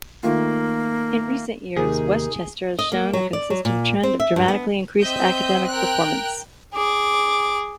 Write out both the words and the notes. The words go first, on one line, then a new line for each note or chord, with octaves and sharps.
In recent years, Westchester has shown a consistent trend of dramatically increased academic performance.
D#3 A3 A#3 F4
D#2 C3 D#4 G4 G#4 A#4
D#5
A#3
F#3
D5
F#3
A#2
C4
E5
G2
B3
C4 D#5 E5 G6
A#4 G5 F#6
G#4 D6